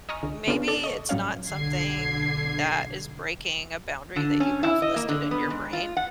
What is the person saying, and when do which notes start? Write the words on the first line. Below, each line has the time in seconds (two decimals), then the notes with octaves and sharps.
maybe it's not something that is breaking a boundary that you have listed in your brain.
0.09 D#5 G#5 A#5 C#6 D#6 F6
0.23 C#2 D3
0.47 C#3 B3 C#4 D4 F4 G#4
0.68 A4 D5 A5
0.84 D#5 C#6
1.09 A2 F#3 G3 C#4 C#5 F5
1.47 B1 D3 G#6 C7
4.16 D3
4.40 C#4
4.63 E4
4.82 D#5
4.96 A#3
5.09 D3
5.31 B3
5.50 G#2
5.73 F4
5.97 F#5